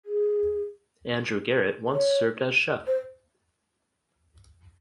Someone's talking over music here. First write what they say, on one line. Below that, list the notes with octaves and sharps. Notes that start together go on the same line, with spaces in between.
Andrew Garrett once served as chef.
G#4
C#5
C5